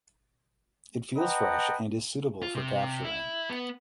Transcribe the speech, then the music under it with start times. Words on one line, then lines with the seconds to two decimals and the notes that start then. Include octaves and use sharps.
It feels fresh and is suitable for capturing.
1.17 B4 D#5 F#5 G5 A5 A#5
2.43 F4
2.55 C3
3.05 E4
3.50 B3